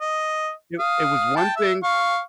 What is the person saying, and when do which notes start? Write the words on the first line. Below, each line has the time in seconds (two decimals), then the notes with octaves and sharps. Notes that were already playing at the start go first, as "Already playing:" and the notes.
It it was one thing
0.01 D#5
0.79 F5 D#6
1.36 G5 A5
1.56 E5
1.83 F5 C#6